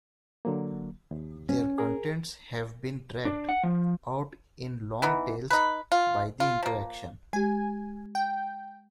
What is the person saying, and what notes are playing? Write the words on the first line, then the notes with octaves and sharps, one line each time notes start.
Their contents have been dragged out in long tails by the interaction.
D3 F#3 A#3
D#2
C#4
G#4 A#4
D4
F#5
F3
E3 B3 D#4
D#4 B4
F4
F4
F3 A#3
G#3 G4 G#5
G5